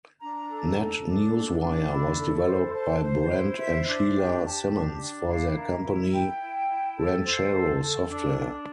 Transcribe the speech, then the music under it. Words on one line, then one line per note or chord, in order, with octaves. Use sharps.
NetNewsWire was developed by Brent and Sheila Simmons for their company Ranchero Software.
D4 A#5
A4
A4
D4
D4
D4
E4
A4
C5
C5 A5
C5
E4
C5 E5
D4
G4
G4 A5
D4
D4
E4 F5
A#4
E4
E4 G5
E4
E4
A4
C5
A4
A4
D4
D4